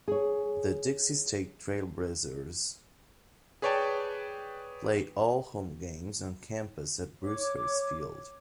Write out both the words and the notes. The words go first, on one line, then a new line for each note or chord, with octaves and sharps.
The Dixie State Trailblazers play all home games on campus at Bruce Hurst Field.
G#4 C#5
G#4 B4 C#5 D5 G5 A5
C#5 D6